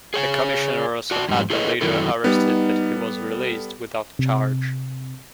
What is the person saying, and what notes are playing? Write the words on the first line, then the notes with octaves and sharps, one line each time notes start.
The Commissioner also had the leader arrested but he was released without charge.
G#4 C#5 G5 G#5
F#4 D5 A5
F2 G#2 G3
E4 G#4 A4 B4 C#5 D#5
F#2 D#3 F#3 E4 A4
G3 B3 D#4
A4
C3